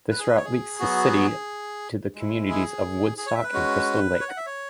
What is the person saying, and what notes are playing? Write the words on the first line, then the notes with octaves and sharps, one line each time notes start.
This route links the city to the communities of Woodstock and Crystal Lake.
B4
G#4
B4
C#5
G#4
F#3 B3 F#4
G#3 E4
G#4
G#4
C#5
E5
B4
G#3 C#4 F#4
C#5
F#5
E5
C#5